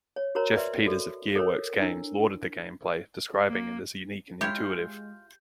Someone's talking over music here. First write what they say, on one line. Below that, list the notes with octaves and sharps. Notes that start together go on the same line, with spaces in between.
Jeff Peters of GearWorks Games lauded the gameplay, describing it as unique and intuitive.
C#5
F#4 A#4 C5 C#5 A#5
B4 D5 E5 C6
F#4 A4
A4 A#4 C5 C#5
D4 E4 E6
A#3
G#3 E4 F4 G4 C#5 G6